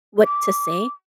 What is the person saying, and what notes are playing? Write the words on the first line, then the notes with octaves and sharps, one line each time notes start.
what to say,
D6